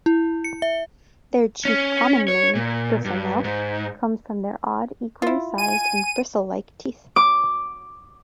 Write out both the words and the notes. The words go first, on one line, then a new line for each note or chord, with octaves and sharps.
Their chief common name, bristlemouth, comes from their odd, equally sized, and bristle-like teeth.
E4
C#7
E5
C#4
C#5
A#2
G2
G#2
E4 F4
G#5 D#7
D6